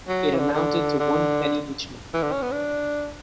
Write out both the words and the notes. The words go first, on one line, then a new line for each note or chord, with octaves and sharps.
It amounted to one penny each month.
F#3
E3
D3
D3
D3
E3
D3
C#4
B3
D4